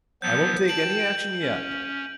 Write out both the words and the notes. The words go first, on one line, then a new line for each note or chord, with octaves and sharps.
I won't take any action yet.
F3 F#3 B3 G6
G5 A5 D7 F#7
C#4